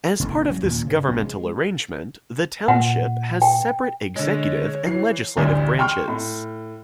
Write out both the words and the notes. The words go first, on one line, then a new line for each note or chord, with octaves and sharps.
As part of this governmental arrangement, the Township has separate executive and legislative branches.
E1 A1 C#3 A3
F#3 C#4
D#2 A#2
G2 C#3
F1 A#1 C3 C4
G#3
A#2 F#5
G5
D3 G#3 C#5
E3 C7
A1 D2 G3
G5 C6 C#6 F6
A2